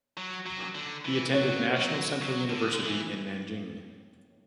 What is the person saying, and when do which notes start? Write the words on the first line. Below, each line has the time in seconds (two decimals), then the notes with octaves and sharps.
He attended National Central University in Nanjing.
0.17 F#3
0.46 F#3
0.75 D3
1.05 E3
1.34 F#3 C#5
1.77 F#3
2.22 F#3
2.50 D3
2.74 D3
2.79 E3